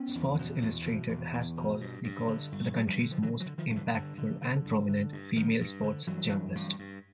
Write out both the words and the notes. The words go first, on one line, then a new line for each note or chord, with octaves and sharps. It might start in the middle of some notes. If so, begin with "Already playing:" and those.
Sports Illustrated has called Nichols the country's most impactful and prominent female sports journalist.
Already playing: B3 C#4
E2
B2
E2
B2
E2
E2
B2
G2
G2
D3
G2
D3 F#3
F3 G3
D3
F3
D3 E3 F#3
E3 F#3
D3
D#3 F3
G2
D3 E3
G2 D3
D3
D3
G2
D3
G2
G2 D#3
G2
D3
G2 E3 F#3
G2
G2
G2